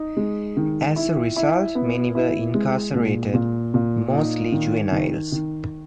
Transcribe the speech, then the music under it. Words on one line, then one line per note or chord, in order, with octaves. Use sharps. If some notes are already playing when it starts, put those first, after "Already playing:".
As a result many were incarcerated, mostly juveniles.
Already playing: D#4
G#3
D#3
E4
E4
B3
E4
G#3
A#2
A#2
A#2
D#4
D#3
D#3
D#3